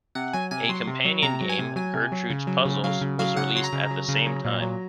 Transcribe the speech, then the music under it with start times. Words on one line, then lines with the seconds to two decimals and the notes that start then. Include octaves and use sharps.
A companion game, "Gertrude's Puzzles" was released at the same time.
0.15 C3 F#5
0.33 F#3 G#5
0.51 C3 G#5
0.69 F#3 C6
0.87 C3
1.05 F#3
1.22 C3 A#5
1.41 F#3
1.49 G#5
1.59 C3
1.76 F#3 G#5
1.94 C3
2.12 F#3
2.30 C#3
2.47 F#3
2.65 C#3
2.84 F#3 F5
3.01 C#3
3.19 F#3 F5
3.37 C#3 F#5
3.55 F#3 C6
3.64 A#5
3.73 C#3
3.90 F#3
4.08 C#3
4.26 F#3
4.45 A#2
4.62 F#3